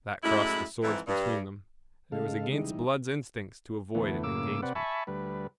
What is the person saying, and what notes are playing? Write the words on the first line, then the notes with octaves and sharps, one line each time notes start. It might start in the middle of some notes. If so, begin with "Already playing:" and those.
That crossed the swords between them, and it was against Blood's instincts to avoid an engagement.
F#2 A2 G#3 E4
F2 G#2 E3
G2
C#3 G#3 A4 F5
E3 G3 D#4
D2 E3 A3 B3
A2 C#3 A#3 D6 E6
C3 C4 B4 D5 F#5
E5 G#5 A5 B5 C#6
D2 G3 B4